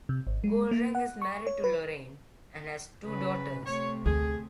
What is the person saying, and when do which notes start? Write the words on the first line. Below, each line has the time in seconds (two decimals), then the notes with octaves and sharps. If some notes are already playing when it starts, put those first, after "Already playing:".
Goldring is married to Lorraine and has two daughters.
0.09 C3
0.27 G#1
0.44 G#3
0.71 A#3
0.95 F#5
1.22 C#6
1.47 C#5
1.64 B4
3.05 C#3 B4
3.66 C3 A3 C#5
4.06 D2 G#4